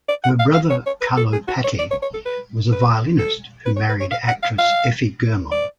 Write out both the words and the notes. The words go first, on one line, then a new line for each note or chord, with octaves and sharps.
Her brother Carlo Patti was a violinist who married actress Effie Germon.
D5
F#5
F5
F5
C#5
C#5
B4
A4
G#4
F#4
C#5
D5
C#5
C#5
A4
B4
B4
A4
B4
C#5
B4
C#5
F5
F#5
F5
F5
D5